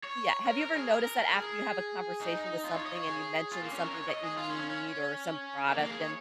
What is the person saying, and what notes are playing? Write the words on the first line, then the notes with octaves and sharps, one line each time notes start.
yeah, have you ever noticed that after you have a conversation with something and you mention something that you need or some product and
C#5
A#4
A#4
G#4
A#4
A#4
A#4
G#4
D#4
F4
C#5
D#5
C#5
G#4
F4
A#3
C#4
C#5
A#4
C#5
D#5
G#4
F4
C#4
C#4
C#4
A#3
A#3
G#4
C#5